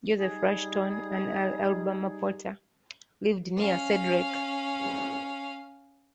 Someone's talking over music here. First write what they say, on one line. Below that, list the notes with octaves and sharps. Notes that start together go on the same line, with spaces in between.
Joseph Rushton, an early Alabama potter, lived near Cedric.
G3 D#4 G#4
C#4 F5